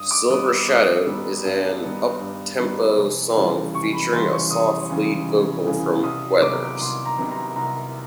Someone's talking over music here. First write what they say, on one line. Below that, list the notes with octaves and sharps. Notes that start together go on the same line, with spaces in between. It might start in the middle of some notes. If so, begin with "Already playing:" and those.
"Silver Shadow" is an uptempo song featuring a soft lead vocal from Weathers.
Already playing: G2 D#6
D6
D#3 G3 B3 D#6
E6
G2 D#6
D#3 G3 B3
G2
D#3 G3 B3
G2
D#3 G3 B3
F1
E2 C#3 E3 G3
F1 C#6
B5
E2 C#3 E3 G3 C6
C#6
F1 D#6
E2 C#3 E3 G3
F1
E2 C#3 E3 G3
C2 D#6
C3 D#3 F#3 B3 D6
C2 C6
A#5
C3 D#3 F#3 B3
A#5
C2 A#5